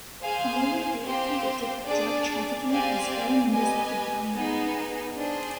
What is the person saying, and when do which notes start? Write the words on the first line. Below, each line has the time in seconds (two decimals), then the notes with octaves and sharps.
All were later convicted of drug trafficking as fellow members of the Bali Nine.
0.22 G#4 C5 F5 G#5
1.03 C4 G4 C5 F5
1.86 D4 G#4 D5
2.68 C4 G4 D5 F5 G#5
3.51 G4 B4 D#5 G#5
4.33 B3 D#4 G#4
5.16 D4 G#4 C5